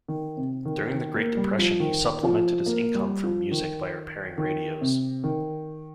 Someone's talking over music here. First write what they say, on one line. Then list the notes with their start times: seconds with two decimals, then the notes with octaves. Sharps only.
During the Great Depression he supplemented his income from music by repairing radios.
0.08 D#3
0.37 C3
0.65 D#3
0.94 D#3
1.15 A#3
1.37 G3
1.59 F3
1.80 D#3
2.23 F3
2.66 A#3
2.95 G3
3.24 F3
3.52 D#3
4.38 D#3
4.81 C3
5.24 D#3